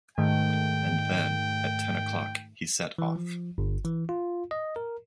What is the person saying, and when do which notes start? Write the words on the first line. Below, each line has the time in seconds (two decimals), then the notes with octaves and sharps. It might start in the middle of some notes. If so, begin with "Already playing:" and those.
And then, at ten o’clock, he set off.
0.18 G#2 D#3 A3 G5
2.98 E3
3.16 F3
3.58 G1
3.84 E3
4.09 F4
4.51 D#5
4.76 A#4